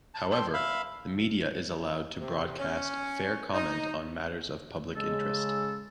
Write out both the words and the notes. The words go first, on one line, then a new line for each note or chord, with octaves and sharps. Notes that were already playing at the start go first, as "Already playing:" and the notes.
However, the media is allowed to broadcast "fair comment on matters of public interest".
A5
A4 G5 C6
E5 F5 B5
C3
C#4
D#4
C#3 G#3 A4